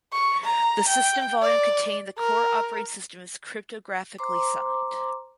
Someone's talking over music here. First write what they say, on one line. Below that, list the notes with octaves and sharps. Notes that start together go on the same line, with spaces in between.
The system volume containing the core operating system is cryptographically signed.
C#6
A#5
G5
D5
A#4
C5 A#5 C6 D6